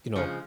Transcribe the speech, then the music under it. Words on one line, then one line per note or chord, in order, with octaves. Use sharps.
you know,
C#3 F3 G#3 C#4